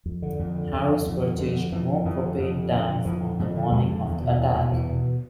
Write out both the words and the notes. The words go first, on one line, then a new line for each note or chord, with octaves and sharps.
Harris purchased more propane tanks on the morning of the attack.
F2
D3
F2
D3
F2
D3
F2
D3
F2 D3
D3
F2 E3
D3
F2 E3
D3
F2
D3
F2 D3
D3
F2 E3
D3
F2
D3
F2 G#3
D3
E2
B2
E2
B2
E2 E3
B2